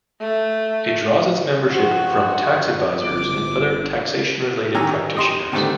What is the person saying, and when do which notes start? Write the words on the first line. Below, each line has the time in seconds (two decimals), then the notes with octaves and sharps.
It draws its membership from tax advisers and other taxation-related practitioners.
0.20 A3
1.70 G2 F3 F#4 F#5
3.01 G1 D6
4.74 D#3 F#3 G4 G#5 A#5 E6
5.15 G4 D#5 C6
5.52 D3 D#3 G3 A3 C4 A4